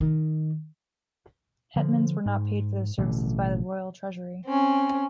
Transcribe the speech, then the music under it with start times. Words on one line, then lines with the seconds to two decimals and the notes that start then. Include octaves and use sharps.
Hetmans were not paid for their services by the Royal Treasury.
0.01 D#3
1.76 D3 F3
2.26 G#2
2.98 A1 B2 D3
4.46 C4 C#4